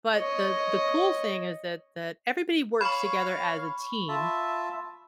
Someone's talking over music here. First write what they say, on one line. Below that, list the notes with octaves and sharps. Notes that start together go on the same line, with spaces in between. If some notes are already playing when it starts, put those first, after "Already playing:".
but the the cool thing is that that everybody works together as a team,
C#5 D#5
C#5 F5 B5 C#6 F6
F4 E5 A5